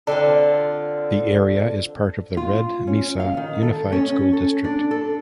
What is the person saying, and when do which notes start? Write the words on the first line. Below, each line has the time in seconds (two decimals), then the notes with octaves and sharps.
The area is a part of the Red Mesa Unified School District.
0.07 D3 C4 F4
2.37 F4
2.87 C#4
3.20 F5
3.37 D#3
3.62 A4
3.92 C#4
4.33 A4
4.64 D4
4.91 A4